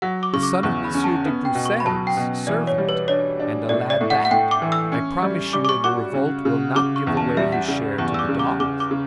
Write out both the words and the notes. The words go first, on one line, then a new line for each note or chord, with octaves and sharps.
"A son of Monsieur de Broussel's servant, and a lad that, I promise you, in a revolt will not give away his share to the dogs."
F#3 F#5
D6
C#3 C#6
D6
E2 C#6
B5
C#4
A5
B3
G5
B2
C#6
B5
F#3 A5
G5
B2
E3 D5
C#5
G3
B4
D4 C#5
D4
A2 D5
D5
A2
F#5
F#5
A2 G5
D6
E3
E6
C#4
G3
G3 D6
D6
C#6
F#4 D6
C#3
C#3
C#3 D6
C#6
E2
A5
G3 E5
F#5
C#3
E2 C#6
E6
D6
C#3
D6
C#3 D6
D6
C#3